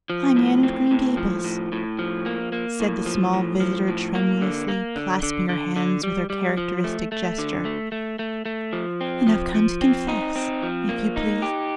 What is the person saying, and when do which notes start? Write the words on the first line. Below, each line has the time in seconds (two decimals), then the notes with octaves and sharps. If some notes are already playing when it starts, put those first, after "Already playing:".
"I'm Anne of Green Gables," said the small visitor tremulously, clasping her hands with her characteristic gesture, "and I've come to confess, if you please."
0.10 F3
0.36 A2
0.63 C4
0.91 A2
1.17 F3
1.44 A2
1.72 A2
1.99 F3
2.26 A#3
2.52 A#3
2.80 A2
3.06 F3
3.33 A2
3.60 F3
3.88 A2
4.15 A#3
4.42 D3
4.68 A#3
4.96 D3
5.23 D3
5.49 D3
5.76 D3
6.03 G3
6.30 G3
6.57 F3
6.84 A3
7.12 A3
7.38 D3
7.65 A3
7.92 A3
8.19 A3
8.46 A3
8.73 F3
9.01 C4
9.27 F3
9.54 F3
9.81 C4
10.08 D#4
10.36 C4
10.63 F3
10.89 A#3
11.16 D#4
11.42 G4